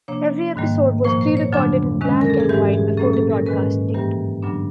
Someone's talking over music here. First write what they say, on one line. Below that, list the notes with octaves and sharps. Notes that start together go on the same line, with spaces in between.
Every episode was pre-recorded in black and white before the broadcast date.
C3 F3 A#3 D4 C#5
G#2 D#3 G3 A#3
A#2 F3 A#3 C5
C5
C#5
F2 D3 F#3 B3 D4
C3 D#3 G#3 C#4
A#4
A4
G#4
G#2 E3 G#3 G4
G#4
A#2 F#3 A#3 C#4 A4
A4
A#4
G#2 D#3 G#3 C#4 B4
G2 E3 G3 A#3 G4
G2 D3 F#3 B3 D4